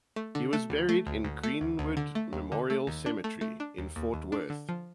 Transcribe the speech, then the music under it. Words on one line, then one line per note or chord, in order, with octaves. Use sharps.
He was buried in Greenwood Memorial Cemetery in Fort Worth.
A3
D3
A3
D2
A3
D2
D2
A3
D2
D2
D3
A3
D#2
D3
A3
D#2
D4
A3
A3
D4
D#2
D#2
D#2
D4
D3
F3